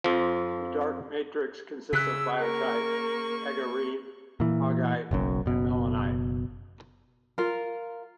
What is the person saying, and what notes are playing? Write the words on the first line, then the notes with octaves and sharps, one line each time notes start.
The dark matrix consists of biotite, aegirine-augite and melanite.
F2 F3
C#3 E6 F#6 B6
A#3 A#4 C#6
A#2 E3
F#1 B1 F#2
F#1 B2
F4 A#4